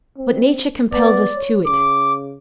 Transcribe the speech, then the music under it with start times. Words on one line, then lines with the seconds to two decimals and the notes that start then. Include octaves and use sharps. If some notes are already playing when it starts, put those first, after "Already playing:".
But nature compels us to it.
0.18 C4
0.92 B3 D5
1.36 C#5
1.66 C#3 D6